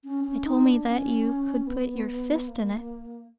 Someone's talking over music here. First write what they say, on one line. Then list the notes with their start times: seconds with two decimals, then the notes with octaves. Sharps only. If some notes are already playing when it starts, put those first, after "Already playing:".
They told me that you could put your fist in it.
0.04 C#4
0.24 C#4
0.45 D#4
0.65 D4
0.85 C#4
1.67 B3
2.48 A#3